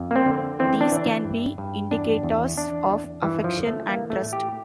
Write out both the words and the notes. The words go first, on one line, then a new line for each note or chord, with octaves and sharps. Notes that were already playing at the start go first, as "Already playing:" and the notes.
These can be indicators of affection and trust.
Already playing: F2
A#3
C4
D3
E3 C4
D4
E3
G2
G2
E2 D4
E2
E2 D4
E2
G2 E3
F3
D3
A3
E3 A#3
A3
A2
G4